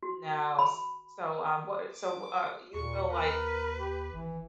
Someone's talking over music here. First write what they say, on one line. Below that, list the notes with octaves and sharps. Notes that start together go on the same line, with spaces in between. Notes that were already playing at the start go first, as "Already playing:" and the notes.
no, s so, um, what so, w uh, you feel like
F#4
B5
D6
D#2 A#2 C#6
A#4 B4
G4
G#1 E3